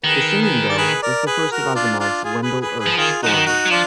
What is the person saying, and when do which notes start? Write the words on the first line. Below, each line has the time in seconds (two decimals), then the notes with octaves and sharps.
"The Singing Bell" was the first of Asimov's Wendell Urth stories.
0.04 D#3 G#4 B4
0.41 G#4 B4
0.69 D5
0.78 G#4 B4
1.02 A#4 D5
1.27 G#4 B4
1.51 F#4 A#4
1.75 D4 F4
1.99 D4 F4
2.24 F4 G#4
2.42 G#4 B4
2.61 G#4 B4
2.79 G#4 B4
2.86 F3
2.97 D#3 F4 G#4
3.22 F3 D#4 F#4
3.34 D#3
3.46 D#4 F#4
3.66 F#3
3.70 F3 D4 F4